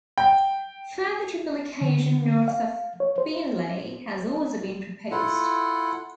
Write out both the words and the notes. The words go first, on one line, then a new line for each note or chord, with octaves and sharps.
Further triplication north of Beenleigh has also been proposed.
G5
D3
F5
C#5
C5
E4 F4 A4 F#5